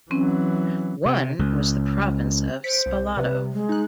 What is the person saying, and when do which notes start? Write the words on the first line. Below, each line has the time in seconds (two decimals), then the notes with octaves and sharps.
One was the province of Spalato.
0.11 E3 F#3 C4 C#4
1.06 C3
1.39 C#2
2.64 C5 B6 C#7 D7
2.86 C2
3.17 C3 G3 B4
3.52 G#3
3.69 D#4 F#6